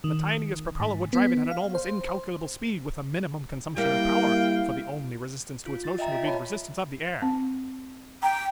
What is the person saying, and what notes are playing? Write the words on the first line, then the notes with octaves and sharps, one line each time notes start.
The tiniest propeller would drive it at almost incalculable speed with a minimum consumption of power, for the only resistance to its motion would be the resistance of the air.
D#3
G#2
B3
F5
C5
G3 A#3 E4 F5 G5
F4
A6
D#5 E5 G5 A#5
F4 D#5
C#5 A5 B5
C4
G5 A#5